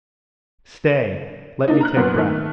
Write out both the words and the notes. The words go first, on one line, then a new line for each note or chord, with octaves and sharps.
Stay, let me take breath ...
A#3 D4 D#4
A#5 F6 F#6
F#2 A#2 F#3 B3
D#3 A3